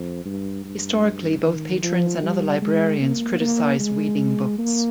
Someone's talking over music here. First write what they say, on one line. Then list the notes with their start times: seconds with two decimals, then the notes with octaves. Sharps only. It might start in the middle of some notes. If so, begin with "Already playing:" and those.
Historically, both patrons and other librarians criticize weeding books.
Already playing: F2
0.26 G2
0.65 G2
1.43 D#3
1.83 F3
2.23 G3
2.62 G#3
3.01 A#3
3.41 A#3
3.80 G#3
4.59 A#3